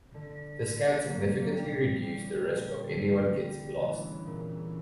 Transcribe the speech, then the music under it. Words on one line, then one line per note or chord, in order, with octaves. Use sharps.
This can significantly reduce the risk of anyone getting lost.
D3
D3
D3 F#3 A#3
F#3 A#3
G3
A#2 C#3
A#2 C#3 G3
D3
D3
G3
C#3 E3 B3
A#2